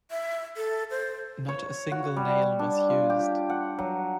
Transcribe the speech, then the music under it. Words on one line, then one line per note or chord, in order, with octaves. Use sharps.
Not a single nail was used.
E5
A4
C5
C#5
F#4
G3
D4
F4
G4
F#5
F#3